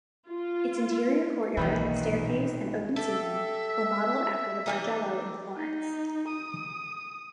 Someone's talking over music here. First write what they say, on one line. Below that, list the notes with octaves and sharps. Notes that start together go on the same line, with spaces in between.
Its interior courtyard, staircase, and open ceiling were modeled after the Bargello in Florence.
F4
B1 A#2 D#3 E3 D#4 B4 D#5 E5
G4 A4 E5
E3 D4 D#4
D#4
D#6